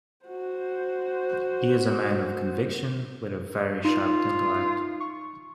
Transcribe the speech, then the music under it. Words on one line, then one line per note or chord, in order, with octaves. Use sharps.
He is a man of conviction with a very sharp intellect.
F#4 C5
D#4 F4
C#6